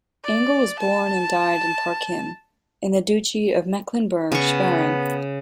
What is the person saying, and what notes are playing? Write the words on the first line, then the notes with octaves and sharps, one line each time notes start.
Engel was born and died in Parchim, in the Duchy of Mecklenburg-Schwerin.
D5
A5
C#3 B3 C#6